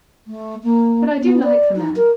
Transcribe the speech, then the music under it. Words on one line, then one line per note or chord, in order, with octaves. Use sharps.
But I do like the man.
A3
A#3
B3
D5
D#4
A#4